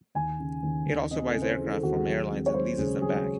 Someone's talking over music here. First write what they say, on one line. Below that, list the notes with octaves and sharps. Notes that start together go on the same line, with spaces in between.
It also buys aircraft from airlines and leases them back.
D#2 G#5
C#3
D#2
D#2
C4 D#5
A4
C#3
C5
E3 G#4
A4
D#2 F#4
G#4
F#3
C4
C#5
F#3 C5
C#2 G#4
F#3 G#4